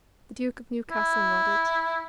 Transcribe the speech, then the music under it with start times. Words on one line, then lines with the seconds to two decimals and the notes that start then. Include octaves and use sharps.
The Duke of Newcastle nodded.
0.91 E4